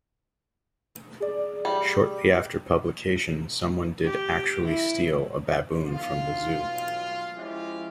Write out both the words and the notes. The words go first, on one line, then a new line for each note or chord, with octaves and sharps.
Shortly after publication someone did actually steal a baboon from the Zoo.
G#4 D5
G3
G4
E4
B1 F4
F3 G#3 C#4 E4 F4 G4